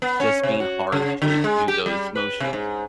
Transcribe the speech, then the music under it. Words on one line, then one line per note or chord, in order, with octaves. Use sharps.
just being hard to do those motions,
B3
C#4
C3
F#4
C#3
D3
G#3
G4
G3
B4
C3
G#2